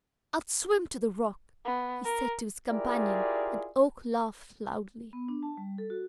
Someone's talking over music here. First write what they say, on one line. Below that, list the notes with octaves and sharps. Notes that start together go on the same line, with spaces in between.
"I'll swim to the rock!" he said to his companion, and Oak laughed loudly.
B3
A#4
E4 F4 G4 G#4 A#4 D5
B3
D4
A5
G3
A4
F#4